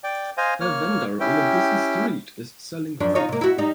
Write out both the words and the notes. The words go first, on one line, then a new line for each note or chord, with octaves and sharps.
A vendor on a busy street is selling food.
D5 G5
C5 D#5 F5 G#5
A#3 C#5 F6
C#4 E4 G4 G5
F#2 F3 D4
D#4 F4 C#5
C3 A#3
E4 F#4
G3 D#4